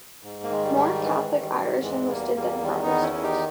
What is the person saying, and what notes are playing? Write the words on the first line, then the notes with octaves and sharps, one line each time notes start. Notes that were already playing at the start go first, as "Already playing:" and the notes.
More Catholic Irish enlisted than Protestants.
G#2
A#3
D#3 G#3
G3
G#2
D#3 E3
E3
D#3
G3
G#2
G3
E2 E3 G#3
E2 G3 A#3
E2 G3 A#3
D#3 G3
B3 D#4
E2
C#4 E4
D#3
D#4 G4